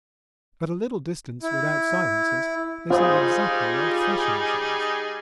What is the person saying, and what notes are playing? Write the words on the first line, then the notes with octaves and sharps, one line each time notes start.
At a little distance, without silencers, they sound exactly like threshing machines.
E4
G3 D#4 F4 G#4 C5 D#6